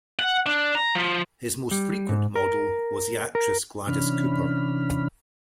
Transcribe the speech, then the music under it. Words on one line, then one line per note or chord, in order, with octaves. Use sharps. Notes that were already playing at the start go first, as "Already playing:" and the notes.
His most frequent model was the actress Gladys Cooper.
F#5
D4
A#5
F3
G3
G#2
A#4
A#4
C3 E3 C#4 D4 B5 F6